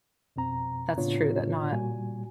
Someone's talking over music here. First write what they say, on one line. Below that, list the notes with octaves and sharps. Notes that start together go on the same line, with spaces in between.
that's true that not
F2 B2 C4 A#5
A2 C#3 B3 D4 F4 C#5
A#2 G3 F#4 G#5